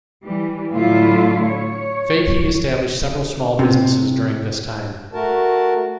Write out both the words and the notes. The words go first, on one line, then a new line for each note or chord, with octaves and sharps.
Fahy established several small businesses during this time.
E3 G3
A2 D3 F#3 A3 E4 F4
C#5
C3
A3 F#4 A#4 A5